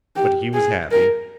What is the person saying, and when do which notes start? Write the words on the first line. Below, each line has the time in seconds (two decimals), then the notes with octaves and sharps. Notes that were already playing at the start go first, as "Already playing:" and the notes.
But he was happy.
0.16 G4
0.53 G#4
0.91 A#4